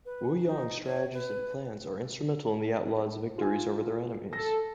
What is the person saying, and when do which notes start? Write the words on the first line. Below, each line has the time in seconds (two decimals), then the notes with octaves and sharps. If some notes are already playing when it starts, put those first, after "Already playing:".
Wu Yong's strategies and plans are instrumental in the outlaws' victories over their enemies.
0.06 B4
0.45 D#4
0.85 C#5
1.13 B4
3.38 F4 G#5
4.33 A4 A#6